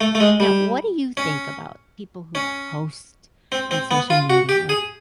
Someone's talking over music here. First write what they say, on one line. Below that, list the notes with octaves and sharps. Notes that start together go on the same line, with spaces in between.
Now, what do you think about people who post on social media,
A3
A3
G#3
G3
C#4
C#4
C4
C4
B3
F4
F#4
G4
G#4